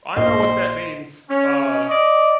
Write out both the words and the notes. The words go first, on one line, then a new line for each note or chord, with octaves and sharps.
I know what that means. Uh,
A#1 C5 D#5 C6
C#4
D5 D#5